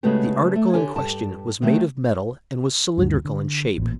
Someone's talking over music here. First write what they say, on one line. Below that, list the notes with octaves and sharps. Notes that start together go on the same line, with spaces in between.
The article in question was made of metal and was cylindrical in shape.
C#3 G#3 A3 B3 F#4 G4
A3
D3 G4 A4 C#5 G#5
G2 G4 A5
D3 D#3 F#3 A3
D2 G2
D3
A1 A#2